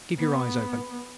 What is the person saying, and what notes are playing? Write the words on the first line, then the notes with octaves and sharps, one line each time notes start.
Keep your eyes open.
B3